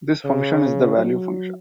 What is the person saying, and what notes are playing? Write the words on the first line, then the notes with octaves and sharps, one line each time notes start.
This function is the "value function".
C#3
F#3